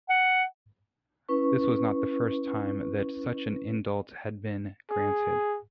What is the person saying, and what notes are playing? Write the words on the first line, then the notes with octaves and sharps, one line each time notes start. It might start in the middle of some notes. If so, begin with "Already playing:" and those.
This was not the first time that such an indult had been granted.
F#5
C#4 E4 B4 C#6
G#4